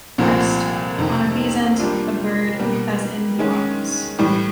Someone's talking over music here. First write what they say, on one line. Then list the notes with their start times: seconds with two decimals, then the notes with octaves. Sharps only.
Crest: On a bezant a bird as in the arms.
0.18 C2 A#2 F3 A3 C4
0.98 F2 C3 D#3
1.79 G3 A#3 D4 F4
2.59 B2 G3 A#3
3.39 D#3 G#3 C#4
4.19 A2 E3 G3